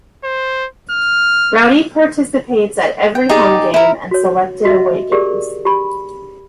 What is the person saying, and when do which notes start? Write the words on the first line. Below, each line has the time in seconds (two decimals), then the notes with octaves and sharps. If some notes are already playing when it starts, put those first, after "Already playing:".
Rowdy participates at every home game and selected away games.
0.24 C5
0.91 F6
3.15 G5
3.29 D#4 G4 G#4 D5
3.74 E4 A#4
4.11 F#4 C#5
4.65 F#4 D#5 E5
5.12 G4 G#4 A#4 D5
5.65 G4 B5